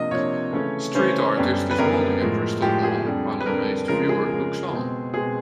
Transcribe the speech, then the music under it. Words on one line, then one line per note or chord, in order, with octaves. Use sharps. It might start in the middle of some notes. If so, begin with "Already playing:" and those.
Street artist is holding a crystal ball, while an amazed viewer looks on.
Already playing: C3 F3 A#3 D4 D#5
C3 F3 A#3 D4 C#5
C#3 E3 A3 C#4
C#3 E3 A3 C#4 C5
F#2 D3 G3 B3 D4
B4
F#2 D3 G3 B3 D4 A#4
A2 F3 G#3
A2 F3 G#3 G4
G#4
F2 D3 G3
B4
F2 D3 G3 A#4
C#3 F3 G#3 A#4
G#4
C#3 F3 G#3
B2 G#3 C4
B2 G#3 C4 G#4